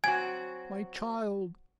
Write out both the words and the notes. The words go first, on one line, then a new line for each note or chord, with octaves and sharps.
My child!
F#3 C4 F#4 G#5 G#6